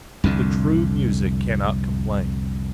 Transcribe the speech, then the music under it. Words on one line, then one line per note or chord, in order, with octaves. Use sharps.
The true music cannot complain.
C2 F2 D3